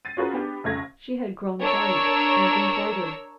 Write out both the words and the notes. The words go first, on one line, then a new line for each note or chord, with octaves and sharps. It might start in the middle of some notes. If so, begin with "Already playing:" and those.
She had grown white, and grew whiter.
A6 C7 D#7
C#4 F4 F#4 G#4 A#4 B4
B3 D4 G4
F1 C#3 A3 F5 G#6 A#6
D4 A#4 C#5 E6